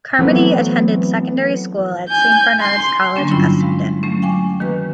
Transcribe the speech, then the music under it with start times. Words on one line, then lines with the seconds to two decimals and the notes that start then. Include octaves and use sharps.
Carmody attended secondary school at Saint Bernard's College Essendon.
0.19 E3 F#3 A3 B3 C4
2.09 G#5 G6
2.60 C6
3.16 D3 F#3 G3 A#3 C#4 D4
3.31 G2 E4 F4 G5 B5 C6
3.61 G#3 F5
4.03 F#3 A3 C#4
4.22 F5 G5 G#5 C#6 D6
4.60 D#3 A#3 F#4 B4